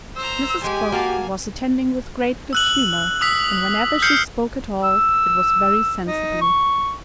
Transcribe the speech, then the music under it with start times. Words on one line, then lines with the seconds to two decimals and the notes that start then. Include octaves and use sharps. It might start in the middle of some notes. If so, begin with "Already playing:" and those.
Mrs Croft was attending with great good-humour, and whenever she spoke at all, it was very sensibly.
0.16 C5 A#5 E6
0.64 G#3 G4 G#5
0.92 A#3 F#4 F5 A5
2.53 E6 F#6 F#7
3.21 D#6 E6 B6
4.02 F6 G6 C7 C#7
4.84 E6
6.07 D#4
6.42 C#6